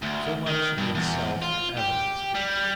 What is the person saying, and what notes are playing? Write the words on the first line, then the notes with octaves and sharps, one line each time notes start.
So much is self--evident.
D2
D#3
G2
E2
F4
G4
G3